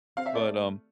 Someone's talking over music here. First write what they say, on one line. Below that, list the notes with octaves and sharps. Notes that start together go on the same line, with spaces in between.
but, um,
C4 F5
E5
A3 D5